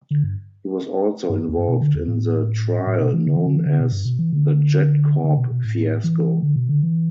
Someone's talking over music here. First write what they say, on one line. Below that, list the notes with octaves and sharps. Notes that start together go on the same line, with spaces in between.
He was also involved in the trial known as the JetCorp fiasco.
D3
G2
G2
E2
G2
B2
D3
E2
A2
A2
B2
E3
D3
E3
D3
E3
D3
B2
G2
B2
E3
D3
D3
B2
B2
A2
E3
D3
B2
D3
E3